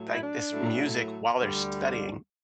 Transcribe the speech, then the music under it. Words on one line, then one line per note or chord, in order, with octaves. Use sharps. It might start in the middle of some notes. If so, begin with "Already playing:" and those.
like, this music while they're studying.
Already playing: A2 F#3 A3
E4
D4
A2 F#3 A3
D2 D3 G3